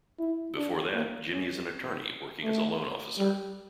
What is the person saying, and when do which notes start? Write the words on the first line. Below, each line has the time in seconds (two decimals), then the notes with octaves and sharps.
Before that, Jimmy is an attorney working as a loan officer.
0.19 E4
0.57 D4
0.94 A#3
1.32 C#4
2.44 A3
3.18 G3